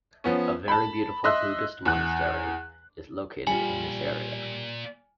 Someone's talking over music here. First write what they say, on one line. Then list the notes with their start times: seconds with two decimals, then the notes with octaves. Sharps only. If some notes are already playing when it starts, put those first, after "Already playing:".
A very beautiful Buddhist monastery is located in this area.
0.24 F3 B3 C#4
0.68 A5 B5
1.24 D#5 E5 C6 E6 F#6
1.86 E2 F#6
3.47 A#2 G3 F4 G#5 B5